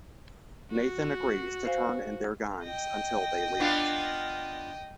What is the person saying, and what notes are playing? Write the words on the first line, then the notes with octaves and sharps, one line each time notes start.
Nathan agrees to turn in their guns until they leave.
F#4
C5 F5 G#5
D#5 G5
B3 D4 F4